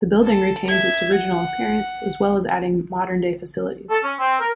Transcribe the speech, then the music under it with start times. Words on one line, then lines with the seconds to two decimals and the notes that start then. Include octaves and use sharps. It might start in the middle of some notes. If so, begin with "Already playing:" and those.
The building retains its original appearance as well as adding modern-day facilities.
0.24 A4
0.68 E5 G#6
1.16 F#5
3.90 A4
4.03 C#4
4.19 C4
4.40 A#4